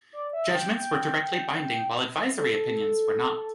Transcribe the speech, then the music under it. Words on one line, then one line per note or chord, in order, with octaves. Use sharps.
Judgments were directly binding while advisory opinions were not.
D5
E5
G5
G5
A4